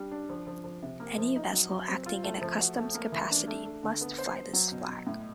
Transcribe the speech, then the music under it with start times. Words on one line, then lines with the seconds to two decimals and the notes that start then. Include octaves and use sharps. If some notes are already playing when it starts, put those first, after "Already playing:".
Any vessel acting in a customs capacity must fly this flag.
Already playing: G3 D4
0.11 D4
0.29 F3
0.47 F3
0.64 F3
0.82 C3
1.00 A#3
1.18 F3
1.36 D#4
1.53 F#3
1.70 F#3
1.88 C4
2.06 F4
2.24 A3
2.42 F3
2.59 F#4
2.77 A3
2.94 A#3
3.12 E3
3.30 D4
3.47 A3
3.65 A3
3.83 D3
4.01 B3
4.18 C5
4.36 C5
4.53 F#3
4.72 B2
4.89 B2
5.07 A2